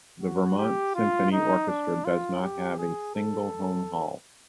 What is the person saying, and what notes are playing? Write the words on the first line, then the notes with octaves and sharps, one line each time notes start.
The Vermont Symphony Orchestra does not have a single home hall.
F#4
G4
F4
D#4
D4
F4
G4
G#4
A4